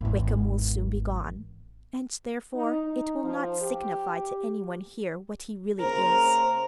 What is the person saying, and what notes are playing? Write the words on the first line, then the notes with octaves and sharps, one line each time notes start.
Wickham will soon be gone; and therefore it will not signify to anyone here what he really is.
G#1 E2
D#4
D#4
F3
G4
C#3 A#3 A#4 C5